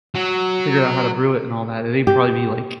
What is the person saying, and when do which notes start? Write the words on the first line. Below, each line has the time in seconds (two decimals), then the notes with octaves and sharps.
figured out how to brew it and all that and they'd probably be, like,
0.15 F#3
2.07 G4